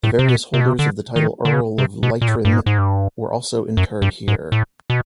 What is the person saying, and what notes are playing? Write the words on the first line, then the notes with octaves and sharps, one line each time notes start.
The various holders of the title Earl of Leitrim were also interred here.
A2
C3
B2
C3
B2
C3
D3
D#3
D3
C#3
C3
B2
A#2
A2
G2
G#2
G#2
G2
F#2
G2
G#2
A2
B2